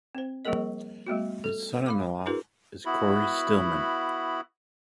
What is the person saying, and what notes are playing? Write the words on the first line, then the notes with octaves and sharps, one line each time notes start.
His son-in-law is Cory Stillman.
C4 C5
F3 G3 A#3 G#4 A#4 D#5
G3 A3 B3 F#4
A4
F5 B5 D6
D4 E4 F#4 G#4 A#4 B4
B3 E4 F#4 B5